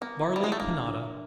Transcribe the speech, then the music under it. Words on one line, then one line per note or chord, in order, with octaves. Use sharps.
Barley Panada.
A#3 B3
E4
G3
G#3 E4
A3
D3 A#3
D3
D3